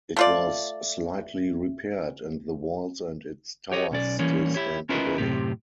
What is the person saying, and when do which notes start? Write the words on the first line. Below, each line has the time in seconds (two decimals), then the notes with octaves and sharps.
It was slightly repaired and the walls and its towers still stand today.
0.16 A3 F4 D5
3.72 G4 C#5 D#5
3.92 B1 C#4 D5
4.19 E3 G3 A#3 C#4 C#5
4.55 E4 G4 C#5
4.89 C#4 E4 F4 A#4 B4 D#5
5.18 F#2 A2 C3 C4 G4